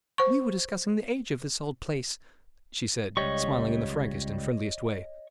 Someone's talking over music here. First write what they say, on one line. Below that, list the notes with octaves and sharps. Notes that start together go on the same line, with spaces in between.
"We were discussing the age of this old place," she said, smiling in the frankest and friendliest way.
C5 C#6
C#2 G3 C#5 D#5 C#6